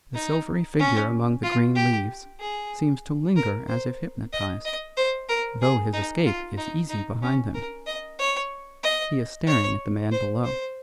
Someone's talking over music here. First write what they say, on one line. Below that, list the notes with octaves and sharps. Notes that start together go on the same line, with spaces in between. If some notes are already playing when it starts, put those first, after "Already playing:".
The silvery figure among the green leaves seems to linger as if hypnotised, though his escape is easy behind him; he is staring at the man below.
D#4
C#4
F4
G4
G#4
A#4
C5
D#5
D#5
C5
A#4
G#4
D#4
F4
D#4
D#4
C#4
A#4
D#5
C#5
D#5
C#5
C5
C5